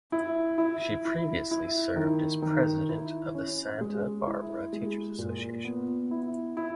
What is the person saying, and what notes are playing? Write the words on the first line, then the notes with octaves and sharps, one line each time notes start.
She previously served as President of the Santa Barbara Teachers Association.
E4
E4
E4
E4
D#3
D#3
E4
C#4
G#3
E4
G#3
A#2
B3
E4
E4